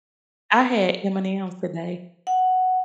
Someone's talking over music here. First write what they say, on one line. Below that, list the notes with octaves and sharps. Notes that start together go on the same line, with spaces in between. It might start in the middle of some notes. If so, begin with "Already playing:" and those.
I had M&M's today.
F#5